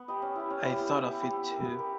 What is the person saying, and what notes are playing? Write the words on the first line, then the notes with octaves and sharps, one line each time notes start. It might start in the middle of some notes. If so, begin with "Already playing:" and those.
I thought of it too.
Already playing: B3
G4 B4 D#5
C#4
E4 G4
C#4
E4 G4
B3
E4 G4
B3
E4 G4
B3
G4 A#4
B3
G4 A#4